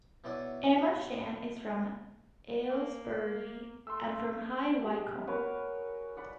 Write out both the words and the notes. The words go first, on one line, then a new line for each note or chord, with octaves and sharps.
Amersham is from Aylesbury and from High Wycombe.
B2 E3 C#5 D5 E5 F#5
A#3
A3 C6 E6
G4 G#4
F#4 A#4 B4 C#5
D5 F#5 B5